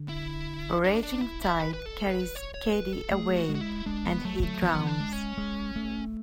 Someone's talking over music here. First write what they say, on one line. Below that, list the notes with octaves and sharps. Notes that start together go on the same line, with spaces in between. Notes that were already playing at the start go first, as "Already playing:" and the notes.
A raging tide carries Cady away, and he drowns.
Already playing: D3
E4
D4
D4
E4
E4
B4
B4
A4
B4
C#5
C#5
B4
A4
A3 G#4
F#4
G#3
F#4
E4
G#3 D4
B3
F#3 A3
A3
E3 B3
F#3
E3
D4
G#3
C#4
G#3
A3